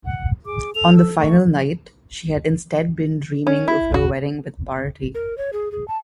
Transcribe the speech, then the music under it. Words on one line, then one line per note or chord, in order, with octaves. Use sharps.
On the final night, she had instead been dreaming of her wedding with Barty.
F#5
G#4 D6
A4 F7
E6
A3 C#6
C#4
E4
F#4
A#4
C#5
G#4
G#4
A5